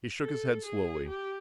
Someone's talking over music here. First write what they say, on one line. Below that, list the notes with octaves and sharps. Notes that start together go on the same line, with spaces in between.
He shook his head slowly.
A4
G#4
G4